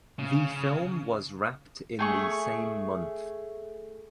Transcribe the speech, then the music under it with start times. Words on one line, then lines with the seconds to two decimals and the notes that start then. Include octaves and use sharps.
The film was wrapped in the same month.
0.19 C#3
1.99 A3 G#4 C#6